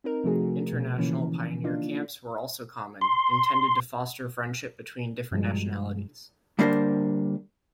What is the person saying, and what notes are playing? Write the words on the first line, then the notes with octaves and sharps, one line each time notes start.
International pioneer camps were also common, intended to foster friendship between different nationalities.
C4 D#4 A#4
C3 F3 A3 F#4 G#4
B2
C#3 E3 F3 A#3 C#4
A#3 D4 D#4 F4
C6
G2 B2 F3 G3 G#3
D3 G3 A#3 D4 A#4 C5